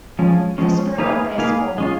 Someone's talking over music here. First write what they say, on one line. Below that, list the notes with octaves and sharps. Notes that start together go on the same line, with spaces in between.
The Spirit of Baseball.
F3 G#3 C#4
F3 G#3 C#4
A#3 D#4 G#4 B4 F5
A#3 D#4 G#4 B4 F5
G#3 C#4 F4